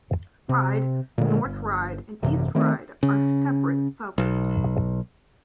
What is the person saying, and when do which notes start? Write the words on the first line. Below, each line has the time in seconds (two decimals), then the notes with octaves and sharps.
Ryde, North Ryde and East Ryde are separate suburbs.
0.49 C3
1.18 A#2 D3 G#3
1.45 G1
2.23 G#1 F#2 C3 E3
2.55 D#3 A3 C4
3.03 C#3
4.18 B1